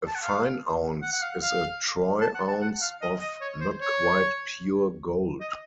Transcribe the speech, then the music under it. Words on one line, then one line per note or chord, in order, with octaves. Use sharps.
A fine ounce is a Troy ounce of not quite pure gold.
A5
F#5
F5
F#5
F#5
F5
F5
A5
F#5
A5
F#5
F5
D#5
D#5
C#5
C5
C#5
D#5